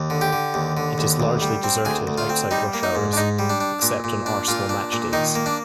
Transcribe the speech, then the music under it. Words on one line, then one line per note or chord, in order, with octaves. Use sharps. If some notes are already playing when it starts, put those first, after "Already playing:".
It is largely deserted outside rush hours except on Arsenal match days.
Already playing: D#2
D3
G4
D3
D#2
D3
D#2
D2
G3
C4
D2 G#4
D2
F4
C4
G3 D#4
A#3
D#4
G#2
D4
G#2 D#4
G3
D4
D4
A#2
A#2
D4
A#2 F4
D4
A#2
D#3 D#4
A#3
D4